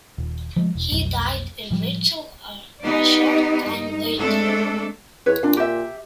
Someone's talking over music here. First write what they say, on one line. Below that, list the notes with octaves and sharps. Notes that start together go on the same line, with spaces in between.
He died in Mitchell, a short time later.
D#1
F3 G#3 A3
E1
B1 F2 A3
A2 F3 G3
B3 D#4 G4 D5
G2 D#4
G#3 A3 C4 D4 A4
E2 B4 C#5
A#2 D4 F5
G4 E5